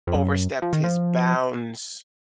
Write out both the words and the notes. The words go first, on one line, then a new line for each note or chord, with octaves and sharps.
overstepped his bounds
F2
F#2
F3
D#3
F3